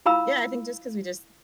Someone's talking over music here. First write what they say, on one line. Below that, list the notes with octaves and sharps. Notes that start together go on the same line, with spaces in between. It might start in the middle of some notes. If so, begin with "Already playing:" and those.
yeah, I think just 'cause we just-
E4 F4 F5 A#5 B5 E6